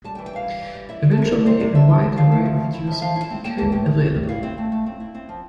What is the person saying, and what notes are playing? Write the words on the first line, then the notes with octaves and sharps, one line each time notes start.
Eventually, a wide array of hues became available.
G3 A5
G5
E3
G5
E4 F5
G3
E3
G3
E4 E5
G3
A4
C3 A#4
E4 D5
G3 C5
C3 D5
D4 E5
F3
D4
F3 F5
A3
F3
C4
E4
F3 E5
F3 F5
E4
A5
C4
A#3 G5
E3 A5
A2 G5
G3
G3
A2
E4 F5
C4
A3
A3
C4
E4
C4
F3